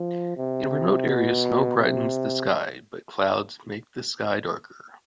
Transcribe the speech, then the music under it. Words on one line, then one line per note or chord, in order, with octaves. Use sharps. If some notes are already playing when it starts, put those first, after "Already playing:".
In remote areas snow brightens the sky, but clouds make the sky darker.
Already playing: F3
C3
B2
C3